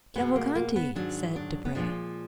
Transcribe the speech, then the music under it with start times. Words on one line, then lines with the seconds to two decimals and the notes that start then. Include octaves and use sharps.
"Cavalcanti!" said Debray.
0.15 B2 G#3 B3
0.36 A#3
0.55 A#3
0.76 B3
0.95 G#2 D#3 F#3 D4
1.36 D4
1.65 B3
1.75 A#2 F3 G#3 D4